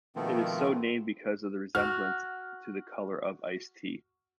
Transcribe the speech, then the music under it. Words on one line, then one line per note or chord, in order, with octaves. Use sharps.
It is so named because of the resemblance to the color of iced tea.
B2 D#3 F3 A3 B3 C4
F#4 F6